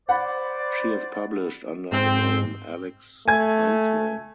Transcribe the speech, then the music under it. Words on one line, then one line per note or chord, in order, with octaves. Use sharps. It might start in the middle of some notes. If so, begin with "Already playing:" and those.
She has published under the name Alix Heintzman.
C5 D5 F#5 B5
G#2 C4
A3 G#5 G#6